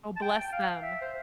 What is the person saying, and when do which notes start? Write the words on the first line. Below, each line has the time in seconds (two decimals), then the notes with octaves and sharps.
Oh, bless them.
0.16 A5
0.22 G5
0.42 G5
0.52 F5
0.82 E5
1.01 C5